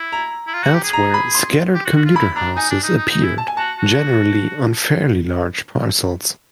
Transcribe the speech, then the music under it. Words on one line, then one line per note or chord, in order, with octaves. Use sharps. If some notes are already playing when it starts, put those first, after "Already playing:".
Elsewhere, scattered commuter houses appeared, generally on fairly large parcels.
Already playing: E4
A#5
E4
F4
F#4
G4
G#4
A#5
B5
C6
G4
F#4
F#4
F4
E4 B5
D4 A#5
D#4 G#5
D4
D#4
D#4
D#4
E4
A5
G#5
F#4 A5
F#4